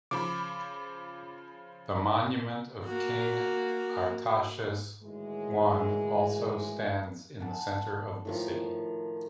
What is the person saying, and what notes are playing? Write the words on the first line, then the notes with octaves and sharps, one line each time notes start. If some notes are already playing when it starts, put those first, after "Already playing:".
The monument of King Artashes I also stands in the center of the city.
C#3 F3 B5 D6
A#3 F#4
A2 D#3 E3 F#3 G#3
F#5 A5
A2 D#3 F3